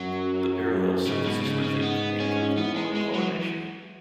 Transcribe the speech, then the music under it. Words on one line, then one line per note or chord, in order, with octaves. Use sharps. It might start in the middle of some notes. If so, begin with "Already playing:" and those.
The "parallel synthesis" method can be improved upon with automation.
Already playing: F#2 F#3
G#2 C#3
B2
C#3
C#3
B3
C#4
E3 B3
G#3
G#3
F#3